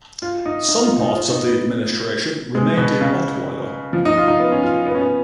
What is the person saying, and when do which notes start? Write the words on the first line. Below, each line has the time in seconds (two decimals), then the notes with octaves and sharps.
Some parts of the administration remained in Ottweiler.
0.22 F4
0.46 D#4
0.69 D#4
0.84 F4
0.99 D#4
1.15 F4
1.30 D#4
1.46 B3
2.55 G#3
2.77 B2
3.01 C#3
3.93 F3
4.05 D#4
4.17 F4
4.28 D#4
4.40 B3
4.52 C#4
4.63 F4
4.87 B3
4.95 C#4
5.01 B3